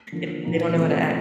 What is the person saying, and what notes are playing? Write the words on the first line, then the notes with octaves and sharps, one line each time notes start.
eh, they don't know how to act.
D3 F3 A#3
A#2 F3 A#3 D#4 F#4
C3 F3 A3 C#4 E4